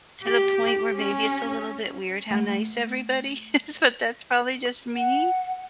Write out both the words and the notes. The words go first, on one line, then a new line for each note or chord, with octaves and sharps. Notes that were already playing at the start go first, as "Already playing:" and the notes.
to the point where maybe it's a little bit weird how nice everybody is, but that's probably just me.
G4
C#4
A3
F#5